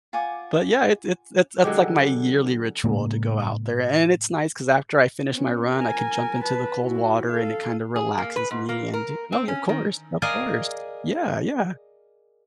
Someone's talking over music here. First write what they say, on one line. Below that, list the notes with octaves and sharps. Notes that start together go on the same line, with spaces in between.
But yeah, it's it's it's that's like my yearly ritual to go out there, and it's nice 'cause after I finish my run, I could jump into the cold water and it kinda relaxes me and Oh, yeah, of course, of course. Yeah, yeah.
F4 F#5 G#5 D6
D3 F#3 G#3 G4
A2 C#3 G#3 A#3
B3 C#4
A#4 G#5
B4 A5
E4 F#4
A4 F5
G#4
A#3
B4
G#2
A#3
A#4
C4
C#4
D#3
G#4 A#4 D5 D#5 F5 G#5